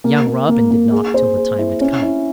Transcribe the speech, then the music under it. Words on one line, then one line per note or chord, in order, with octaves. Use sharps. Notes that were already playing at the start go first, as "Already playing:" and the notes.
Young Robin did not till the time had come.
A#3
A#3
A#3
A#3
G#4
C5
G#4
E4
C#4
E4